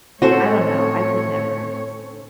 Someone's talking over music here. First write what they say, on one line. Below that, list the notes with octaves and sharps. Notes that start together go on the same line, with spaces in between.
I don't know. I could never just be
A2 C4 C#4 F#4 A4 C5 C#5